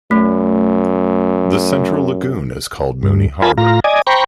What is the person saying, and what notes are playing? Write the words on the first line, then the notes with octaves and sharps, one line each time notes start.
The central lagoon is called Mooney Harbor.
F#2 A3
G2
F4 A#4 G#5 A5 B5
A2 F4 A#5
D5 D#5 G#5
C5 G5 A#5 B5 C#6